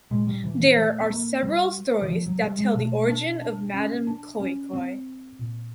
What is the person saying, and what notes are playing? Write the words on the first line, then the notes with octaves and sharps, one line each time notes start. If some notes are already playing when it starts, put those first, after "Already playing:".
There are several stories that tell the origin of Madam Koi Koi.
A#2 G#3
G3
E3
E3
A3
B3
A#3
G3
E3
F3
F#3
G3
G#3
B2 A3
D4
D4
C#4
D4
C#4
C4
A#2